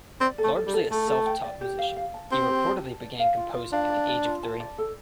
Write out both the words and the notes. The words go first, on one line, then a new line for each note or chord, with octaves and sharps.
Largely a self-taught musician, he reportedly began composing at the age of three.
C4 D5
A4
A3
A4
G3
A4
A3 A4
A4
G5
D5
G4
F5
F5
A5
C4 G4
G4
A5
A5
D5
F5
F4
F4
D4 F5
D5
D5
F4
A5
D5
A4